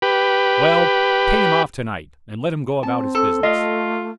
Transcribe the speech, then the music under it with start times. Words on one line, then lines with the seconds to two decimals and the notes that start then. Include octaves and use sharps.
"Well, pay him off to-night, and let him go about his business."
0.02 G4 B4
2.83 C4 A5
3.15 A4
3.43 A3 F4 D#5